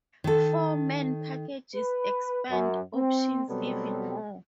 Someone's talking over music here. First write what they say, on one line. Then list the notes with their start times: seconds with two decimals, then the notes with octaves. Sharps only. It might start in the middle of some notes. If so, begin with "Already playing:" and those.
Four-man packages expand options even more.
0.24 D#3 A4
1.75 B4
2.51 F#2
2.95 C4
3.50 B2 F#3 G3 B3 C4 A4